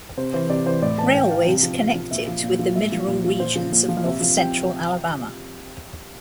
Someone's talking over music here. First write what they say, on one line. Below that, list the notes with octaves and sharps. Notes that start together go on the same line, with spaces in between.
Railways connect it with the mineral regions of north-central Alabama.
C3 C5
E3 C5
C3 D5
E3 C5
A2 D5
E3 A5
A2 G5
E3 F5
C3
F3
C3
F3
A#2 E5
F3
A#2
F3
A#2 E5
F3
A#2
F3
A#2 C5
F3
A#2
F3
F5
C3 E5
F3
C3 G5